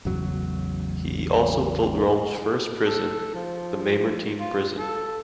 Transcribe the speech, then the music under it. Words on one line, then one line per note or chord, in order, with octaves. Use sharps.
He also built Rome's first prison, the Mamertine prison.
A1 E2 C#3 F#3
A4
F3
F4
A4